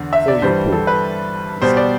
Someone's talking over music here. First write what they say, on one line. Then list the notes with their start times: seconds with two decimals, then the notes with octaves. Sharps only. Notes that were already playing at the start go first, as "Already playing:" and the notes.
"For your poor," he said.
Already playing: E2 D3
0.13 E5
0.28 D5
0.42 G2 E3 G3 C5
0.72 A4
0.87 B4
1.62 B2 G3 C5
1.77 D5